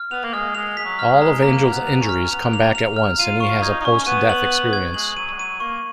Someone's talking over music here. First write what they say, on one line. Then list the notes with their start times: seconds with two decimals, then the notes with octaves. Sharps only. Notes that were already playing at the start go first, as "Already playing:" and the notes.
All of Angel's injuries come back at once and he has a post-death experience.
Already playing: F6
0.11 B3 F7
0.24 A#3
0.33 G#3 F6
0.55 G#3 F7
0.77 G#3 B6
0.85 F#3
0.99 F6
1.05 F#3
1.14 G#3
1.22 A#5
1.42 A#3 A#5
1.66 F7
1.72 B3
1.87 F7
2.01 C#4
2.09 F6
2.31 B3 F7
2.53 A#3 F7
2.75 F7
2.96 F6
3.18 F4 D#7
3.40 F4 C#6
3.62 D#4 G#6
3.81 D#4
3.85 C#4 C#6
4.07 B3 D#7
4.30 F#7
4.51 F#7
4.73 G#6
4.94 G#3 F#7
5.17 F#3 D#7
5.33 G#3
5.38 F#3 D#7
5.60 A#3 C#6